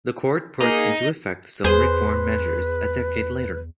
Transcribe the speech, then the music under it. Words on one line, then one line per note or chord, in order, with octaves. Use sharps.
The court put into effect some reform measures a decade later.
A#3 D#4 G#4
E2 G#4 B4 C5